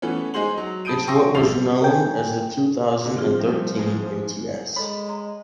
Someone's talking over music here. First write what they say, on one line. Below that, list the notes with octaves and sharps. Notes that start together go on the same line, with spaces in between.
It’s what was known as the two thousand and thirteen ATS.
E3 A3 B3 C#4
G#3 D#4 G#4 C5 C6 F#7
F#3
A5 B5 D#6 G6 D7 D#7
G5 C6 C#6 E6 A#6
A1 F3 G3 E5 C7 F7
A#4 G5 G#5
B2 D3
F3 C4 F4 G#4
A2 G3 C4
G#2 E3 G#3
G#3 A4 C#5 B5
D#5 A#5 C6